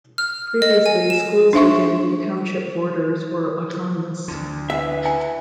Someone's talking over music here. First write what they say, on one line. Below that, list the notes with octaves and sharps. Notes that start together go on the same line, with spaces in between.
Previously, schools within township borders were autonomous.
F6
D#5
G#5
E7
D4 D#4 C5 E5 C6 C#6
D2 D3
E3 E5
G#5